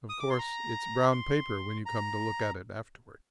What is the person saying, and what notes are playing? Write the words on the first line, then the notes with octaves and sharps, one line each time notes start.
Of course it's brown paper when you come to look at it afterward.'
D#6
D6
C6
A#5
C6
A#5